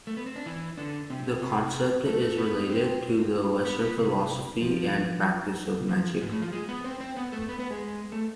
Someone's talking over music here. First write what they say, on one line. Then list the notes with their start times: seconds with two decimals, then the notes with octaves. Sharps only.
The concept is related to the Western philosophy and practice of magic.
0.07 A3
0.17 B3
0.26 C4
0.36 D4
0.46 E3 E4
0.77 D3 D4
1.10 C3 C4
1.41 C3 C4
2.05 A3 A4
2.22 A3 A4
2.38 B3 B4
2.69 C4 C5
3.65 B3 B4
3.81 B3 B4
3.97 C3 C4
4.61 F3
5.88 F3
6.21 G#2 G#3
6.31 A2 A3
6.42 F3 F4
6.53 G#3 G#4
6.68 B3 B4
6.84 C4 C5
7.00 C4 C5
7.16 B3 B4
7.32 A3 A4
7.49 B3 B4
7.59 B3 B4
7.70 G#3 G#4
8.12 A3 A4